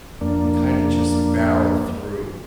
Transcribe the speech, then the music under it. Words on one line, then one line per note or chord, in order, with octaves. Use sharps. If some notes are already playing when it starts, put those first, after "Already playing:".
they kinda just barrel through-
F2 A#3 D4